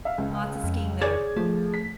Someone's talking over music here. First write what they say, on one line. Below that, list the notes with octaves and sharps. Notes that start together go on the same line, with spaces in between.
lots of skiing there,
E5 F5
C#2
F2
G#4 C#5 D5 G#6
F3 A3
B6